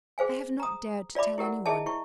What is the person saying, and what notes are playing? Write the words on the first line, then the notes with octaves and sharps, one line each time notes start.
I have not dared to tell anyone.
G#4 C5 F5 G#5
A#5 D#6
F4 D5 E5 B5 D6
E4 G4 A#4 F#5
E4 G#4 D#5 E5 A5
E4 C#6